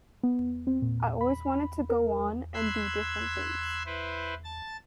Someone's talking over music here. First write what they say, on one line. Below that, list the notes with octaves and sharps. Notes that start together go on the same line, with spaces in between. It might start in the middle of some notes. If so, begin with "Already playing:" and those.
I always wanted to go on and do different things.
B3
C4
A#2
B5
A#4
B5 C6 E6 F#6 G#6
E4 B4 C5
A5 A6